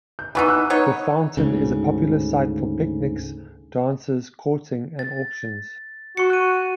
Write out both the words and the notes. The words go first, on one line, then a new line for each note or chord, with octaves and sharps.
The fountain is a popular site for picnics, dances, courting, and auctions.
G6
E3 B3 D#4 B5 C#6 E6
E6 F#6
B3 D#4 C#5
D2 G#2 C#3
A6
F#4 C#6 C#7
F#6 D#7